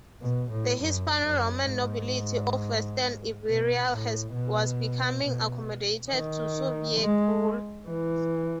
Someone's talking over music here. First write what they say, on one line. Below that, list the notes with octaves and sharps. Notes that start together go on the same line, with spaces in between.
The Hispano-Roman nobility of western Iberia was becoming accommodated to Suevic rule.
B2
A2
F#2
F#2
G#2
B2
A2
B2
B2
D#3
G#3
E3